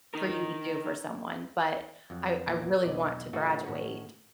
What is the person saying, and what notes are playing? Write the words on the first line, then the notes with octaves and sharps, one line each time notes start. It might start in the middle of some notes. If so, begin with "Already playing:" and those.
for you to do for someone, but I I really want to graduate
D#4 A#4
F2 F#3
E2 A#2 E3 F#3 A#3
B1 E2 D5 D#5
A2 C#3 A3 D#4 F4 F#4
A2 D#3 C#4 F#4